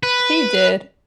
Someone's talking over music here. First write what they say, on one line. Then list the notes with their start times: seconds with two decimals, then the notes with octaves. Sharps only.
He did,
0.03 B4